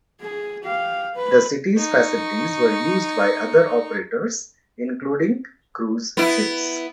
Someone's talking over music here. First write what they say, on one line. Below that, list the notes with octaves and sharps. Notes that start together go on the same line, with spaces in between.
The City's facilities were used by other operators including cruise ships.
G#4
G4 F5
B4
D#4 C#6
B3 E4